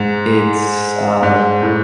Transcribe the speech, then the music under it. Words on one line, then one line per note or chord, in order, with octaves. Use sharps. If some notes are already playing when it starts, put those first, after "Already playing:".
it's, uh
Already playing: G#2
G#2
A2